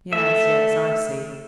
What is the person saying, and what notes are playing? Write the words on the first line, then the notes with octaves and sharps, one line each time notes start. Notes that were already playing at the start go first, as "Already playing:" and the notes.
Yes, yes; I see.
A3 E5